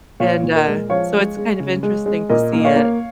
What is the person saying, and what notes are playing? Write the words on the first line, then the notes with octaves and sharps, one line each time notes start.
And, uh, so it's kind of interesting to see it.
A#2 C#5 F5
A#2
A#4 D#5
G#3
F3 C#5 F5
G#3
G#3
C#3
G#3
G#3
A#2 A#4 D#5
A#3
D#5
C#5 F5
A#3